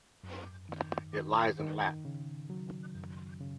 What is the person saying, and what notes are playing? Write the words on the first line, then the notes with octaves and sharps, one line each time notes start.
It lies in Lat.
F#2
D#3
D#3
D#3
C#3
F#3
F#2
C#3